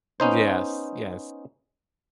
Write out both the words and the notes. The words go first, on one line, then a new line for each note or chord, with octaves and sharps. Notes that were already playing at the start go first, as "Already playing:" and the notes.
Yes, yes.
B3 C#4 D#4 C5